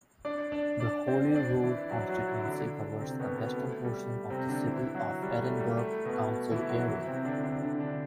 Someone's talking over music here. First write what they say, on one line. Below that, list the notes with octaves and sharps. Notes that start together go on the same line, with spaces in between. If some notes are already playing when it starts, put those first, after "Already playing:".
The Holyrood constituency covers a western portion of the City of Edinburgh council area.
D4 D5
D4 D5
D4 D5
C4 C5
D4 D5
E3 E4
F#3 F#4
F#3 F#4
E3 E4
E4
D3 D4
C3 C4
B2 B3
B2 B3
A3
G3
C3 C4
D3 D4
E3 E4
F#3 F#4
G3
A3
G3
A3
B2 B3
E3 E4
F#3 F#4
E3 E4
C3 C4
D3 D4
D3 D4
D3 D4
D3 D4